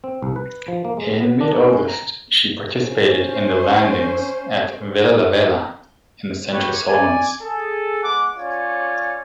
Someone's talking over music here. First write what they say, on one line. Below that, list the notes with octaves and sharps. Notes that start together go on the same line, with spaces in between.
In mid-August, she participated in the landings at Vella Lavella in the central Solomons.
C4
C2
B4
F3
A#3
G#3
B3
D4
D#4
C#4
A#5
C#4 C5
F#4 G4 B4 C#5
D5 G#5
G#4 A4
G#3 B3 F#5 D6
C#4 F4 C#5 D5